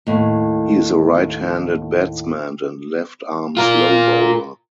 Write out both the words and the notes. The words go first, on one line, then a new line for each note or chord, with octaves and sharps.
He is a right-handed batsman and left-arm slow bowler.
D#2 A2
F4 A#4